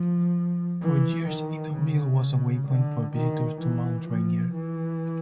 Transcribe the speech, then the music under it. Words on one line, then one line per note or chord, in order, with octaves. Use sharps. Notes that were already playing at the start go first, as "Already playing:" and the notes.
For years Eatonville was a waypoint for visitors to Mount Rainier.
Already playing: F3
E3
D#3
C#3
D3
D#3
E3
F3
E3